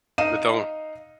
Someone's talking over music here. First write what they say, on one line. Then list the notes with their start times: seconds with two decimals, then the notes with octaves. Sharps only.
but don
0.18 D#4 F5 D#7 E7